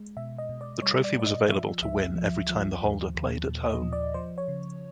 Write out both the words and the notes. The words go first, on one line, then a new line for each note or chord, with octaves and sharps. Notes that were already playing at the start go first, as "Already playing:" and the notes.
The trophy was available to win every time the holder played at home.
Already playing: G#3
B2 E5
D#5
B2
D5
G3 C#5
D5
A#2 D5
D#5
F3 E5
C#2 E5
F3
F3
D#2
D#2
A#2
D#5
F3
D5
F3 C5
C#5
C#3